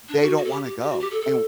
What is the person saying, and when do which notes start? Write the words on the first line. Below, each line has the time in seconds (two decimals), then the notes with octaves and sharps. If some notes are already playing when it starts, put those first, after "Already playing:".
"They don't wanna go, and w
0.08 D4
0.21 F#4
0.36 F#4
0.44 A4
0.50 G4
0.64 G4
0.79 G4
0.89 F#4
0.99 G4
1.11 A4
1.21 A4